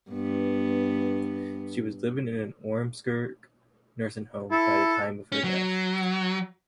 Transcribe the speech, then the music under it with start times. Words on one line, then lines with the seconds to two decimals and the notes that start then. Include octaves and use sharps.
She was living in an Ormskirk nursing home by the time of her death.
0.11 G2 B3
4.51 E4 A4
5.32 C#4
5.44 F#3